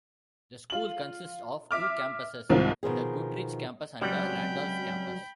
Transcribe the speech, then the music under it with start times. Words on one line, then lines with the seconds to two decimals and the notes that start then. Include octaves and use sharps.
The school consists of two campuses: the Goodrich Campus and the Randolph Campus.
0.70 F4 F#7
1.71 E5 D6 F6
2.50 C2 G#2 D#3 F3 C4
2.83 B2 D#3 F3 G#4
4.01 C#2 F#3 G3 C4 C#4 F#5 G5 B5